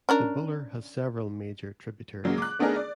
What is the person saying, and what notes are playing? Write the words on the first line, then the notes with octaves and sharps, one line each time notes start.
The Buller has several major tributaries.
C#4 D4 A#4
C#3 F#3 G#3 A#3
D6 F#6
A3 B3 D4 D#4 G#4 A#4
D5